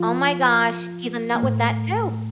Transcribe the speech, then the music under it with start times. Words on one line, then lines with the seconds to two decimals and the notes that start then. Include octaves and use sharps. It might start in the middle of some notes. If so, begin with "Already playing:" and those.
Oh my gosh. He's a nut with that too!
Already playing: F3 F4
1.35 A#3
1.42 A2 A3